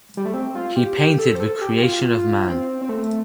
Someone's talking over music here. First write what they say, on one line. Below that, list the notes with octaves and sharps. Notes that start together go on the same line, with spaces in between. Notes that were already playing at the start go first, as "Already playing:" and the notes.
He painted the Creation of Man.
G3
A3
C4
F4
G4
G4
A4
C5
A4
G4
G4
F4
F4
C4
C4
A3